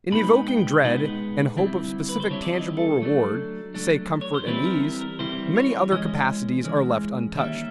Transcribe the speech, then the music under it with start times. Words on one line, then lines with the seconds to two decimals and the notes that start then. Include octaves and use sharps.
In evoking dread and hope of specific tangible reward--say comfort and ease--many other capacities are left untouched.
0.11 B2 G#3 B3 D#4 B5
0.48 G5
0.84 B2 G#3 B3 D#4 F#5
1.57 D3 G3 C4 E4
2.09 B4
2.20 C5
2.30 D3 G3 C4 E4 C#5
2.42 D5
2.54 D#5
2.77 A4
3.02 F#3 A3 D4
3.75 F#3 A3 D4
4.21 C#5
4.34 C5
4.46 E3 G3 C4 E4 B4
4.65 A#4
4.83 A#4
5.01 A#4
5.19 E3 G3 C4 E4 C5
5.56 C#5
5.92 E3 G#3 C#4 D#5
6.64 E3 G#3 C#4
7.36 D#3 G3 A#3 C#4 E5